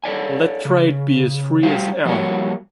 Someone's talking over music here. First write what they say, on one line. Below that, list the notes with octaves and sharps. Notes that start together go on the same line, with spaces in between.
Let trade be as free as air.
A4 C#5 D5 G#5
C#3
G3 F#4 G4 C5 F5
F3 G3 A#3 F#4 C#5